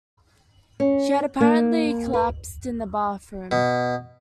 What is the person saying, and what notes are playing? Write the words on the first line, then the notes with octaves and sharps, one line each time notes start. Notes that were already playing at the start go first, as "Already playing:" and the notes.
She had apparently collapsed in a bathroom.
C#4
A#3
B4
B2